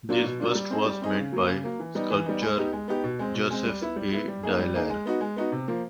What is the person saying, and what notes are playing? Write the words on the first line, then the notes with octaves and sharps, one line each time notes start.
This bust was made by sculptor Josef A. Dialer.
F#3 A#3 D4 F4
B2
F#3 A#3 D4 F4
G3
C4 D#4 G#4
G3
C4 D#4 G#4
C#3
F#3 A#3
C#3
F#3 A#3
E3
G3 B3 D#4
E3
G3 B3 D#4
G#3
B3 D#4 G4
G#3
B3 D#4 G4
B2
G#3 C4
B2
G#3 C4
G3
B3 E4
G3
B3 E4
G3
A#3 D#4 G#4
G3
A#3 D#4 G#4
G#3
B3 D#4 F#4
G#3
B3 D#4 F#4
C3
F3 A#3